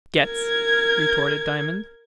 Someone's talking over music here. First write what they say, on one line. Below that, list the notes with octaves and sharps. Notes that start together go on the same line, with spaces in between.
"Gets!" retorted Diamond.
A#4 G#6